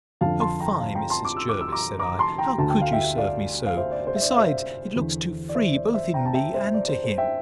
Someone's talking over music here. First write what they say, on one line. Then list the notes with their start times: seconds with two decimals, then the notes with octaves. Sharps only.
O fie, Mrs. Jervis, said I, how could you serve me so? Besides, it looks too free both in me, and to him.
0.21 F2 D3 F5 A5
0.40 A5 C6
0.60 G5 A#5
0.80 F5 A5
0.95 G5 A#5
1.10 A5 C6
1.25 D6
1.37 E6
1.49 D6
1.61 E6
1.72 A#5 D6
1.99 A#5 D6
2.19 A5 C6
2.38 G5 A#5
2.58 D2 D3 A5
2.70 G5
2.81 F5
2.93 E5 G5
3.17 D5 F5
3.66 F5
3.77 C5 E5
3.92 D5
4.07 C5
4.16 E5
4.21 D5
4.31 F5
4.36 C5 E5
4.96 E2 D3
5.49 D5
5.55 C5 E5
5.75 D5
5.94 C5 E5
6.14 G5 A#5
6.25 A5
6.34 E5 G5
6.54 C5 E5
6.74 D5
6.88 C5
7.04 C5
7.18 E5 G5